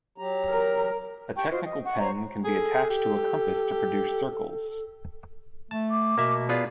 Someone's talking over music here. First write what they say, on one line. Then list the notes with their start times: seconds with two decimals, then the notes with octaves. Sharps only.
A technical pen can be attached to a compass to produce circles.
0.18 F#3 G4 A#5
0.50 A#4
1.36 G4 G5 A5 C#6
1.51 F4 F#4 C5 D#5
1.64 D#5
1.85 F#5 C#6
2.00 C5 C#5 A#5 C#6
2.44 G#4 A4
2.90 G4
5.71 A3 A5
5.90 D6
6.18 B2 A#3 E5
6.49 B3 F4 G#4 D5